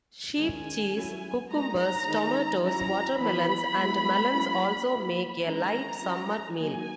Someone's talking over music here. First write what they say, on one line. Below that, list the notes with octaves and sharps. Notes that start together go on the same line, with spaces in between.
Sheep cheese, cucumbers, tomatoes, watermelons and melons also make a light summer meal.
D#3 G#3 C#4 G#5
F#3 C#4 E4
G#3 B3 D#4 A#5
A#5
D#3 G#3 D#4
F#3 C#4 E4 A#5
E3 B3 E4 B5
G#3 B3 E4
F#3 A#3 C#4 E4
F#3 A#3 E4
D#3 G#3 C#4 A#5
F#3 C#4 E4
F#3 A#3 D#4 G#5